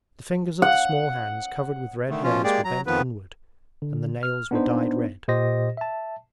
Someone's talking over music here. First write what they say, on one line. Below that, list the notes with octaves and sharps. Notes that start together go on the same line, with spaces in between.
The fingers of the small hands covered with red hairs were bent inward, and the nails were dyed red.
F#5
D3 D#3 A3
B2 F3 C#4 F4
G#3 A#3 G4 G#4 D5
F#3 A#5
F2 D#3 F3 B3 B4
D3
F6
B3 D4 D#4 C5
A#2 G4 C5 D#5 A#6
E5 A5